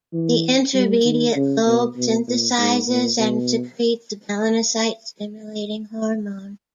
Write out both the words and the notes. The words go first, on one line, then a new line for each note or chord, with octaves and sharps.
The intermediate lobe synthesizes and secretes melanocyte-stimulating hormone.
E3
G3
D#3
C#3
B2
B2
A#2
G#2
A#2
B2